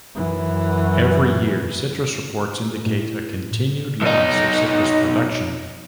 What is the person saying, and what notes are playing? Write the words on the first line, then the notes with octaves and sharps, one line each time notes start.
Every year citrus reports indicate a continued loss of citrus production.
F#2 E3
A2
B1 D#4